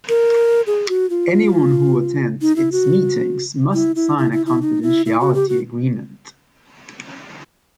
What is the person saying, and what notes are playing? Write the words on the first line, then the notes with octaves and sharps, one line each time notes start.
Anyone who attends its meetings must sign a confidentiality agreement.
A#4
G#4
F#4
F4
D#4
E4
F#4
E4
E4
E4
E4
E4
D#4
E4
E4
F#4
G4
F#4